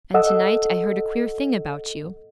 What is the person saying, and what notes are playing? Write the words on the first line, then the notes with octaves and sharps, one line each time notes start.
'And to-night I heard a queer thing about you.'
A4 D#5 F#5 E6